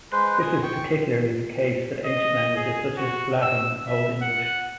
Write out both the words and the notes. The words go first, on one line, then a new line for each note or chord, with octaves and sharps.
This is particularly the case with ancient languages such as Latin and Old English.
G#3 B4 C5
G#5 C6 D#6
G5 C#6
D#5
G#4
F#4
E6
E5
F#5